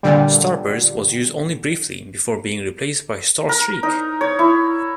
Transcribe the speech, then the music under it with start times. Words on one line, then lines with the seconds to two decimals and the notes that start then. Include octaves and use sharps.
Starburst was used only briefly, before being replaced by Starstreak.
0.03 A#2 D3 G3
3.49 A#4
3.83 D#4
4.21 C#5
4.39 E4